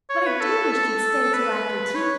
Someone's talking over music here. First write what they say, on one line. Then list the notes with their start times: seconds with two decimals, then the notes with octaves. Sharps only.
But I do wish you'd stay till after tea.
0.10 C#5
0.26 B4
0.41 A4
0.72 A4
1.34 B4
1.95 C#5